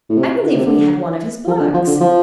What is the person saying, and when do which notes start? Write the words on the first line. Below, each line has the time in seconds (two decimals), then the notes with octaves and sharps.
I believe we had one of his books.
0.09 A2
0.17 C3
0.43 D3
0.55 C3
0.66 D3
1.47 F3
1.60 D3
1.74 F3
1.87 D3
2.00 F3